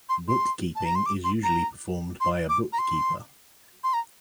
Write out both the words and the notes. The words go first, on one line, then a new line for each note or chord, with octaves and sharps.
Bookkeeping is usually performed by a bookkeeper.
C6
C6
A5
A#5
C6
D6
C6
A#5
C6
D6
A#5
C6
C6
A#5